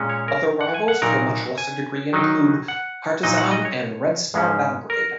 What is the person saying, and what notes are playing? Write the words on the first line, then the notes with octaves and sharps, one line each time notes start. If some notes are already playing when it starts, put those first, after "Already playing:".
Other rivals to a much lesser degree include Partizan and Red Star Belgrade.
Already playing: A#2 G#3 C#4
C#5
A#4
F#5
G#5
F#5
A#2 F#3 D#4 A#4
G#5
D#3 F#3 D#4
F#5
A#2 F#3 D#4 D#5
F#5
D#5
C#5
G#2 G#3 C#4
A#4